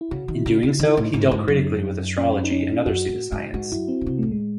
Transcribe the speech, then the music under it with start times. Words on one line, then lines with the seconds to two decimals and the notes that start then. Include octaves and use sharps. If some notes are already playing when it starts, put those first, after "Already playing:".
In doing so he dealt critically with astrology and other pseudoscience.
0.01 E4
0.11 C#3 F#4
0.28 D#3
0.35 E4
0.46 C#3
0.57 D#4
0.63 C#3
0.80 D#3 D#4
0.89 E4
0.97 A2 D#4
1.14 G#2
1.32 G#2
1.48 F#2
2.17 C#4
2.44 D#4
2.51 C#4
2.86 F#2 F#4
3.08 A2
3.32 G#2
3.54 G#2 F#4
3.72 F#2 E4
3.88 C4
4.01 C#3
4.06 C3 C4
4.19 A2 A3
4.31 G#3